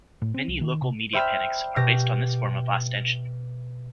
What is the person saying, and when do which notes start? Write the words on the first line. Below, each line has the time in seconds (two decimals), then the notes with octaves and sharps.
Many local media panics are based in this form of ostension.
0.22 A2
0.34 C4
0.48 C2
0.61 D#3
0.82 C3
1.13 C5 D5 E5 G5 B5 F6
1.76 B2 G4 A#6